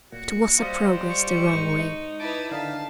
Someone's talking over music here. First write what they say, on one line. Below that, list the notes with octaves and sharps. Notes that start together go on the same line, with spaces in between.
It was a progress the wrong way.
A#2 F#4
G3 F4 C5 D#5
C#6
G#2 D#4
E4 B4 A5 D6
D3 D#3 D#4 F5 A5